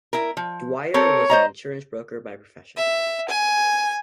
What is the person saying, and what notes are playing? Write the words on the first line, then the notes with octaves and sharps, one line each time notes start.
Dwyer was an insurance broker by profession.
E4 A#4
F3
C4 A4 A#4 C#5
C5 D#5 A#5
E5
G#5